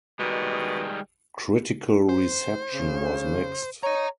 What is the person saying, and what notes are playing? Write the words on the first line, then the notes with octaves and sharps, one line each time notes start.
Critical reception was mixed.
B2 D#3 G3 G#3
C5
C#3
C#5 D#5 A#5